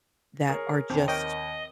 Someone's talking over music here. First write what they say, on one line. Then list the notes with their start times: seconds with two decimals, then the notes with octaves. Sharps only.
that are just
0.49 G#4 A#4 C#5
0.90 D#2 C4
1.08 A#4 C#5 D#5 G5